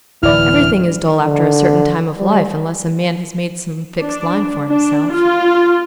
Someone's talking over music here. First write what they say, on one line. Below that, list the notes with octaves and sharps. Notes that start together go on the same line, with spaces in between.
Everything is dull after a certain time of life unless a man has made some fixed line for himself.
D1 E3 E4 D5 F6
D3
G3
D4
D4
F4